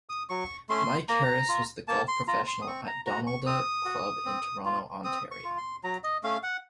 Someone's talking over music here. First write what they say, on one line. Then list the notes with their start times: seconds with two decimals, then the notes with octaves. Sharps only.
Mike Harris was the golf professional at Donalda Club in Toronto, Ontario.
0.09 D#6
0.29 F#3 C#6
0.69 A3 C#4 C6
1.09 A#3 A#5
1.49 F4
1.88 A#3 A5
2.08 C6
2.28 F4 A#5
2.47 C6
2.62 D#6
2.67 C4 C#6
2.87 A#5
3.06 F#4 A#5
3.27 C#6
3.46 C4 D#6
3.85 F#4
4.26 C4
4.65 F4
5.05 C4 D#6
5.31 C#6
5.44 F4
5.58 C6
5.84 F#3 A#5
6.04 D#5
6.23 A3 C#4 F5
6.43 F#5